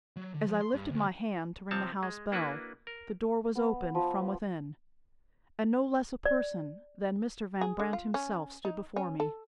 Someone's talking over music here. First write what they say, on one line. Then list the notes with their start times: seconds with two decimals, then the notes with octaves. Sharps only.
As I lifted my hand to ring the house bell, the door was opened from within, and no less a person than Mr. Van Brandt himself stood before me.
0.16 F#3
0.34 D3
0.47 F3
0.61 C6
0.75 G2
0.90 D2
1.71 C3 F3 C4 C#5 A5
2.03 G#3
2.32 A#3 D4 E4 F#4 B4
2.87 A#4
3.55 B3
3.95 F3
6.25 D5
7.61 G#4
7.79 D3
7.93 F4
8.14 C#4
8.65 D#4
8.96 C#4
9.20 A4